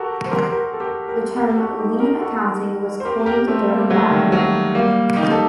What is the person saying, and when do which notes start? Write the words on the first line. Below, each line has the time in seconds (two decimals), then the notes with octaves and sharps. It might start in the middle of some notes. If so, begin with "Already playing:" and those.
The term "lean accounting" was coined during that period.
Already playing: F#4 G4 A4 A#4
0.26 C5
0.31 G4 A#4
0.52 G4 A#4
0.73 A4
0.80 G4 A#4
1.08 G4 A#4
1.36 G4 A#4
1.57 F#4 A4
1.79 D#4 G4
2.00 G4 A#4
2.21 F#4 A4
3.00 C5
3.05 G4 A#4
3.26 G4 A#4
3.48 A3 C4
3.68 G3 A#3
3.90 F#3 A3
4.10 D#3 G3
4.32 F#3
4.75 G3 A#3
5.16 D#4 G4
5.32 A4